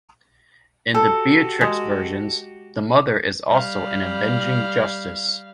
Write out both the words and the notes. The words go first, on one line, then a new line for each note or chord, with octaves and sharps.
In the Beatrix versions, the mother is also an avenging justice.
F#4 G4 A4
G#3
G3 F5